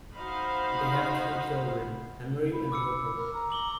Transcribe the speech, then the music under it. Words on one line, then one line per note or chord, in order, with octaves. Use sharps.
They have two children, Emery and Harper.
D#4 F#4 C5 F5 B5
B5
D6 E6 C#7
A#4
A#5
D6 F#7 G7